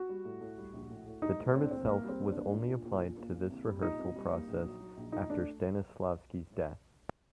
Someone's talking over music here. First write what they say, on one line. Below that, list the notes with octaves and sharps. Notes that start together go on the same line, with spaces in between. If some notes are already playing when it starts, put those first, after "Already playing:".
The term itself was only applied to this rehearsal process after Stanislavski's death.
Already playing: F#4
G3
A2
A2
G3
A#1
A2
A2
G3 D#4
A2
A2 C4
D4
A#1 C4
C2 A#3
G3 C4
A#3
A#3 D4
A#2
A#2
A#2
A#2
A#3
A#3
C2
G3
A#2 D#4
C2
G3
A#3
A#1
F#3
F#3
A#1
A#2 D#4
A3 D4